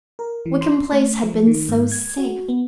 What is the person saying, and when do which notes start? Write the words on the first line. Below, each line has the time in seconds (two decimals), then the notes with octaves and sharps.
Wickham Place had been so safe.
0.19 A#4
0.46 E3
0.61 C6
0.92 A3
1.23 F3
1.47 D#3
1.69 G#2
1.92 G#6
2.18 F#4
2.49 B3